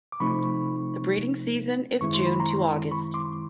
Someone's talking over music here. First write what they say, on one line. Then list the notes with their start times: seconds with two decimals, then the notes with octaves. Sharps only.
The breeding season is June to August.
0.12 D6
0.20 C3 F3 A3 C4 D#4 B5 C#6
2.01 F#2 D#3 G#3 C4 E4 C#6
2.14 C6
2.27 B5
2.40 A#5 C6
2.91 B5 C#6
3.14 C6 D6